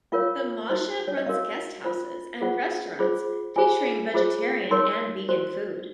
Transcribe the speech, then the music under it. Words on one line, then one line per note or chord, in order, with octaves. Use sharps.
The moshav runs guesthouses and restaurants featuring vegetarian and vegan food.
F4 A#4 C#5 F5
D#4 F#4 C5
C#5
D#5
F#4 A#4 C#5 F5
F4 C5
F4 G#4 C5 F#5
F4 G#4 C5
F4 G#4 C5 G#5
F4 G#4 C5
D#4 A#4 C#5 C6
F#4 C5